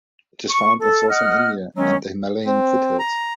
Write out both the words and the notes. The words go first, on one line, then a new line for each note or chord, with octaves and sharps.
It is found in southern India and the Himalayan foothills.
C#6
A4
D#5 F#5 F6
D#3 F#3 G#3 B3 C#4
C4
A#5